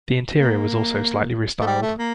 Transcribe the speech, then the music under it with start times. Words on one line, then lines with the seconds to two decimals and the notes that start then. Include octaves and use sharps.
The interior was also slightly restyled.
0.40 A#3
1.61 A3
1.66 G3
1.82 A3
1.98 A#3